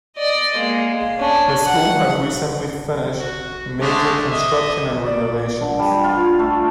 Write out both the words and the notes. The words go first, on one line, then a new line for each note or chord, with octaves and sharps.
The school has recently finished major construction and renovations.
D5 D#5
G#3 A#3
C#4 D4
F#5
F#4
D3 G#3 A3
D#5 E5
D5
D3
G3
F4
A3